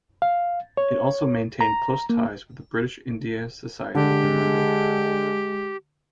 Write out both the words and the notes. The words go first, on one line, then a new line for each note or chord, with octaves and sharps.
It also maintained close ties with the British India Society in London.
F5
C#5
A#5
A#3
D3 G#3 G4